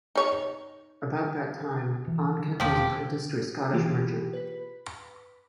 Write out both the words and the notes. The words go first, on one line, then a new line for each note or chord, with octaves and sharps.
About that time, Oncken was apprenticed to a Scottish merchant.
D#4 C#5
E3
E1 F3 A#3 G4
B2 E3 A#3 F4 G4 G#4
B4 B6